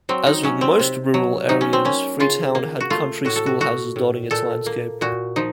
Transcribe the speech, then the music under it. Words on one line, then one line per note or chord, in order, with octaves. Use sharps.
As with most rural areas, Freetown had country schoolhouses dotting its landscape.
F#3 C4
D#4
F#3 C#4
C4
C3
F#3
F#3 D#4
C#4
C4
A#3 C#4
C#3 F4
A#3
F#4
A3 F4
A2 F#4
A4
F#4
A3 F#4
A2
A#2 A4
A#3
A#2 F#4
F3 D#4